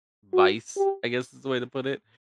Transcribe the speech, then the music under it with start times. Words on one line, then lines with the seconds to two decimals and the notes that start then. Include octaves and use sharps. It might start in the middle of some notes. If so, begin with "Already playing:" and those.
vice, I guess is the way to put it,
0.33 F#4
0.77 G4